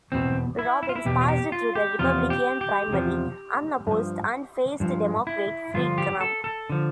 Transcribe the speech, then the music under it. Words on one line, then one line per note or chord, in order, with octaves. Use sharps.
Robbins passed through the Republican Primary unopposed and faced Democrat Fred Crum.
E2 B2 C4
E4
E4
F4
E4
E2 B2 G4
F4
G4
F4
G4
E2 C3 F3 F4
G4
G4
E2 C3 F3
G2 F3
G2 F3
E4
G2 D3 F3 F4
G4
A4
A4
D3 F3